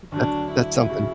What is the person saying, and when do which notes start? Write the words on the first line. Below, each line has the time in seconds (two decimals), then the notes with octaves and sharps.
That's that's something.
0.12 D2 D3 F#3 D4
0.51 E4
0.89 C#3 F#3